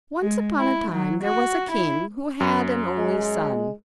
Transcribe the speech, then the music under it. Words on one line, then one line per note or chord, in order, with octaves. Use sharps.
Once upon a time there was a king who had an only son.
G#3
E4
F#3
F#4
E4
F#2
G#3